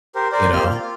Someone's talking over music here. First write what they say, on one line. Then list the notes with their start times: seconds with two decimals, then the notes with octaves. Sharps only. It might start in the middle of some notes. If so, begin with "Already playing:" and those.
you know?
0.15 G4 A#4 C5
0.32 A#4 C5 D5
0.52 A#3 C4 F4 G4 F6
0.71 F4